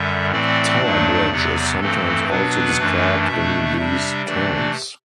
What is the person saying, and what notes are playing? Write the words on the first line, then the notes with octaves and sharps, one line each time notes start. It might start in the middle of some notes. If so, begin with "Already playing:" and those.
Tower Bridge is sometimes also described in these terms.
Already playing: F#2 D3 G3 E5
A2 E3 A3 C4 D5
G2 F#3 A3 D4
E2 C3 F#3 B3
G2 E3 A3 C4 A4
B2 F#3 B3 D4 B4
F#2 E3 A3 D4
B2 A3 D4 E5
C3 G3 D4 E5
C3 E3 A3 D4 D5